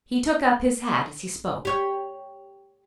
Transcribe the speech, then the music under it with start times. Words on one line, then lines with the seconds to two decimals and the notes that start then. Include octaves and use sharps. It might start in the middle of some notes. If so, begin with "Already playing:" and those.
He took up his hat as he spoke.
1.65 G4 C#5